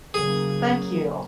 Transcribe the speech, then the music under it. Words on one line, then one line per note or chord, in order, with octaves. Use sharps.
Thank you.
C#3 F#3 A#3 G#4